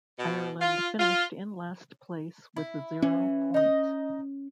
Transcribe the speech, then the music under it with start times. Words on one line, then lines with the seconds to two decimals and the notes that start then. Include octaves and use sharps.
Ireland finished in last place with zero points.
0.19 B2
0.60 F4
0.99 F4
2.56 E4
3.02 E3 C#4
3.54 D#4 D#5